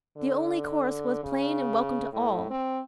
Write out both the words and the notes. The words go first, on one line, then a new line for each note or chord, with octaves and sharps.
The only course was plain and welcome to all.
D3
C#3
A2
C4